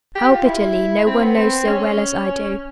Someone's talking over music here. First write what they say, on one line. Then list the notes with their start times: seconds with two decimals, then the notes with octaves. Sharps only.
How bitterly no one knows so well as I do.
0.15 G4
0.31 F4
0.46 E4
1.06 C4
1.22 B3
1.37 C4
1.67 C#4